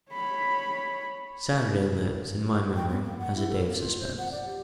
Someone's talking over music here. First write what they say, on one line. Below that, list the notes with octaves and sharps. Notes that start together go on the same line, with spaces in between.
Saturday lives in my memory as a day of suspense.
C#5 B5
G5
B3
A#3
F#5
E4
A4
A#3
F4
C5
F#5
D5
G4